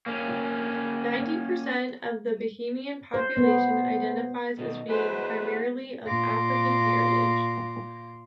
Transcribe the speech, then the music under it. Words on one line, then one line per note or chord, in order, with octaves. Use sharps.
Ninety percent of the Bahamian population identifies as being primarily of African heritage.
A#3 C#4
C5
B3
B2 D#3 D#5
E4 F#4 G#4 B4 C5
F#5
A#2 F5 C6 D6 A#6